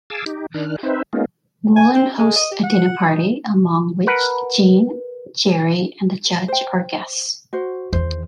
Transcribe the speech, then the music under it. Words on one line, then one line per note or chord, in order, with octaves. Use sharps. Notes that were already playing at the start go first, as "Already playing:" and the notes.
Vollin hosts a dinner party, among which Jean, Jerry, and the Judge are guests.
G#4 F5 G#5 A5 D6 E6
D#4 G4
D#3 D4 F6 F#6
C4 D#4 B4 C5 E5
G#3 A#3 B3 C#4 D#4 F4
G#5
C4
G#3
D#5
G4
F#5
D#4
A#4 B4 F#5
C5 G5
F#4 C5
E2 D#3 C5